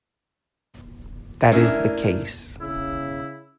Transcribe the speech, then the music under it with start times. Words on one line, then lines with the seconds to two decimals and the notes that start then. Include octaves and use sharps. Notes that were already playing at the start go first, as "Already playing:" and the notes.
That is the case.
1.52 A3 C#4 D4 E4 A#4
2.61 C#3 E4